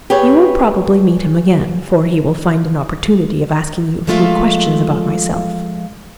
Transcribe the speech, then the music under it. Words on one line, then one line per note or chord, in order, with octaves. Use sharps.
You will probably meet him again, for he will find an opportunity of asking you a few questions about myself.
G4 G#4 B4 C#5
F3 G#3 A3 F4 E5 F5